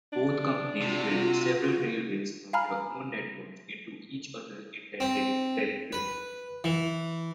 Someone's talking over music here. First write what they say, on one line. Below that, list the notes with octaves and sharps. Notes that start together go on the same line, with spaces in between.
Both companies built several railways from their own networks into each other's intended territory.
D4
C3 F4 F#4
F5 G#5 A#5 B5 F6
C4
B4
E3